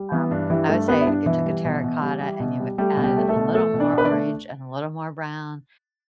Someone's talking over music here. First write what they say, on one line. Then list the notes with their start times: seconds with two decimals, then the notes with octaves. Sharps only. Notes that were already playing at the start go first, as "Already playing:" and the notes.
um, I would say if you took a terracotta and you added a little more orange, and a little more brown,
Already playing: G3
0.12 E3 B3
0.31 G2 D4
0.50 E3 G3 E4
0.69 G2 A3 A4
0.88 G3 B3 B4
1.01 E4
1.07 G2 D4
1.26 B2 E3 E4
1.45 G3
1.65 B2
1.84 B2
2.02 G3
2.21 G3
2.40 B2
2.60 G3
2.78 G3 A3 G4
2.97 B2
3.04 G3 G4
3.17 A3
3.28 A3 A4
3.36 B2
3.54 A3 A4
3.73 B2
3.80 D4 D5
3.93 B2 B4
4.05 D4 D5
4.11 A3